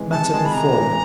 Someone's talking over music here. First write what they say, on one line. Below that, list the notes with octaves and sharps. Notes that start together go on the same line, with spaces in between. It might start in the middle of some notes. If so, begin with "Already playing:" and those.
Matter and Form.
Already playing: C3 E3 G#3
C3 A5
E3 G#3
B5
C3 A#5
E3 G#3